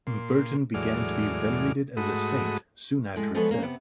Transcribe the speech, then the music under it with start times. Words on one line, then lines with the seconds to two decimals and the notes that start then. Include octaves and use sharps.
Bertin began to be venerated as a saint soon after his death.
0.07 A#2 C6
0.74 E2 A2 F#3 G#3 D5 F6
1.97 G#2 A3 F#4 B5 D#6
3.16 A2 G#3
3.34 F3 G#3 B3 A4 B4 C#5
3.51 A#3 C#4
3.62 C3 B3